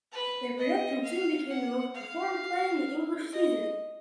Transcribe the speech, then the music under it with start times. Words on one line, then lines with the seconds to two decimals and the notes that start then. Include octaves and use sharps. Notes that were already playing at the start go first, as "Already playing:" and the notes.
The production soon became the most performed play in the English season.
0.12 B4
0.58 D#5
1.03 F5
1.49 F#5
1.94 F5
3.32 D#5